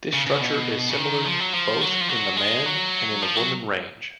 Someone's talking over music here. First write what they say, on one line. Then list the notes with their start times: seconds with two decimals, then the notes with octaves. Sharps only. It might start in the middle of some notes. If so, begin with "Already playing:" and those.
This structure is similar both in the man and in the woman range.
0.13 C#3
0.27 C#3
0.41 B2
0.89 C#3
0.97 D#3
1.25 F3
1.40 F#3
1.54 F3
1.81 F#3
2.01 F3
2.09 F#3
2.37 G#3
2.66 F#3
3.22 F3
3.36 F#3